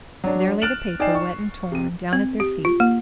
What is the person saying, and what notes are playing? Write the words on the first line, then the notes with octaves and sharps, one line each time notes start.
There lay the paper wet and torn, down at their feet.
F#3 D4
F6 F#6 A6 D7 E7 F#7
D#4 D5 G5 G#5 C7 E7
C#6
C3 D#7
C4
G4
F4
A#3